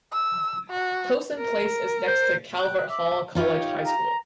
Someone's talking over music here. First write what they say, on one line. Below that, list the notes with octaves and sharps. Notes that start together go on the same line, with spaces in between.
Towson Place is next to Calvert Hall College High School.
E6
F#4
A#4
C5
G5 F#6
E5 D6
D#4 F4 G4 C#5
A#5